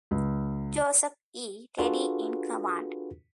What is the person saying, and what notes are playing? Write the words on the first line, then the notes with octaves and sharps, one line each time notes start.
Joseph E. Reedy in command.
C#2
D4 F4 F#4 G#4 A4 B4